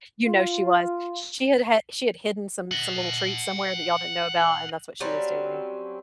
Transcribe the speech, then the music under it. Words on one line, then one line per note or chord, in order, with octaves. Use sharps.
you know she was. Sh she had had she had hidden some some little treats somewhere that y'all didn't know about, and that's what she was doing.
F4
D#5 F#5
F#3 G3 C4 C#4